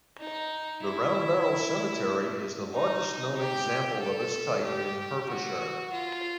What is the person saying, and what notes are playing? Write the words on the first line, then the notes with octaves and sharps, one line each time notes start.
The round barrow cemetery is the largest known example of its type in Hertfordshire.
D#4
E4
D#4
G4
A4
G4
F#4
F4